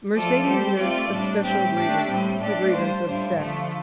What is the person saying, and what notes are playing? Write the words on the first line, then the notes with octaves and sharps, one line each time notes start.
Mercedes nursed a special grievance--the grievance of sex.
F3 A3 F4 A4 D5
G3 C4 G4 C5
A3 C4 F4 D5
A2 G3 D4
A2 G3 C4 G4
A3 D4 G4
A2 G3 C4
A3 D4 G4 D5
G3 F4 C5
A2 G3 D4 F4
D3 F3 A3 F4